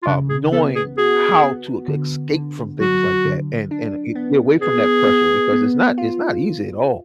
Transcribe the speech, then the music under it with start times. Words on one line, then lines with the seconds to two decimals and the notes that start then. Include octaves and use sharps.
um, knowing how to ca escape from things like that, and and i get away from that pressure, because it's not it's not easy at all.
0.03 F4
0.07 C#3 D4
0.29 G#4
0.52 B3 A4
0.75 G#4
0.98 F#4 G#4
1.43 B3
1.88 D3
2.34 D3
2.80 F#3 F#4
3.25 D3
3.71 D4
4.15 B3
4.62 B3 G#4
5.07 B3
5.52 B3
5.98 F4